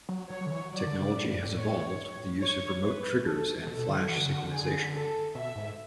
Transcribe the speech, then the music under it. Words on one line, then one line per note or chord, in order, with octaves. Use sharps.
Technology has evolved with the use of remote triggers and flash synchronization.
F#3
F#3 C#5
F#3
D3
E3
F#3
F#3 D5
D3
C#3
A2
A2
A2
C#5
C#5
B4
A4
B2 A4
B2
D3
F#3
E3 F#4
D3
C#3
D3
G#4
A4
B2 E5
G#2